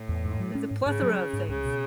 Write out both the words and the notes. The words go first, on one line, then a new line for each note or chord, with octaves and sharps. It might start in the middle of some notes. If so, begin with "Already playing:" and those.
There's a plethora of things.
Already playing: A2
E2
G#2
F#3
C#4
G#2
G#2 C#3
F#3
C#4
G#2
C#2 C#3
B2